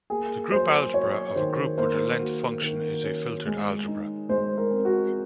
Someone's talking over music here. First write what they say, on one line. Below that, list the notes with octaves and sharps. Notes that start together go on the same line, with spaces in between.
The group algebra of a group with a length function is a filtered algebra.
A#3 G#4
F#3 C5
F#3 C#5
D#3 C5
A#3 C5
F#4
D#3 A#4
C#4
G#3
D#4
G#3 C5
A#4
C4
F#4